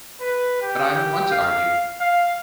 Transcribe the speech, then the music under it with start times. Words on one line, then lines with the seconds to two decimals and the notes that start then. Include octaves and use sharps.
But I don't want to argue.
0.20 B4
0.62 G4
1.32 F5
2.01 F5